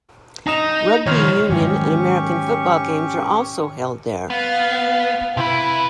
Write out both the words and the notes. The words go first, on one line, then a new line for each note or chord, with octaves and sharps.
Rugby union and American football games are also held there.
D#4 A#5 D#6 E7
D#3 F3 C#5 F6
G#2 D#3 F#3 C#4 G4 C#6
B3 F5
C3 E4 B4